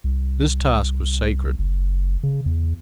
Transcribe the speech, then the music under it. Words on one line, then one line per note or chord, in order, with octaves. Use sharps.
This task was sacred.
C2
F#1
C#3
E2